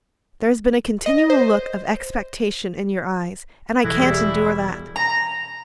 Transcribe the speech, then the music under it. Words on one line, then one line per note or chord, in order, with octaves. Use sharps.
There has been a continual look of expectation in your eyes, and I can't endure that.
D#5
C5
E1 E4 A4 D#6 F#6 A#6 C7
G3 G4 G#4 E5
A#5